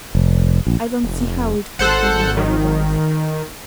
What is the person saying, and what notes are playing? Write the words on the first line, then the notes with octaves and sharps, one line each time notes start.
I don't see how it could have been otherwise.
F1
A#1
F1
G#1 A4 C5 F#5
D#3